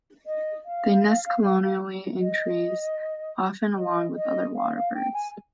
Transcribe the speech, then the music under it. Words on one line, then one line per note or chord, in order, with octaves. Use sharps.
They nest colonially in trees, often along with other waterbirds.
D#5
F5
D#5
D#5
D#5
F5
F5
G5
G#5